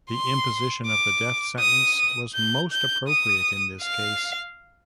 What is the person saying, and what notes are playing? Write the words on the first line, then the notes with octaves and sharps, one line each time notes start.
The imposition of the death sentence was most appropriate in this case.
C6
D6
D#6
G6
G6
D#6
F5